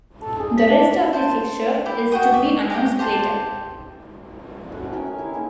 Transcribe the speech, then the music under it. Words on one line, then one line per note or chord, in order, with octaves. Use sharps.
The rest of the fixture is to be announced later.
A4
G#4
B6
D4
C5 A5
E4 G4
F#4 G5 D#6
E5 D6
G4 A#5 D6
G4 C5 A5 C6
A3 C#4 D4 F#4
C#4 A#4 G5 D#6
F5 G#5 D#6
E4 G4 A#4 E5
G#3 A#3 D#4